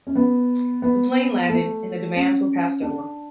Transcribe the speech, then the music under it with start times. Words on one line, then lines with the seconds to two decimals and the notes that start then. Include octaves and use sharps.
The plane landed and the demands were passed over.
0.07 C#4
0.16 B3
0.82 B3
1.49 A3
2.16 C#4
2.82 D4